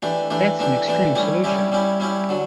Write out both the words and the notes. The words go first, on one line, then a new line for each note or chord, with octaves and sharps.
That's an extreme solution.
E3 A3 D4 G4
E3 A3 D4 G4
E3 A3 D4 G4
E3 A3 D4 G4
G3 C#4 E4 G4
G3 C#4 E4 G4
G3 C#4 E4 G4
G3 C#4 E4 G4
D3 F#3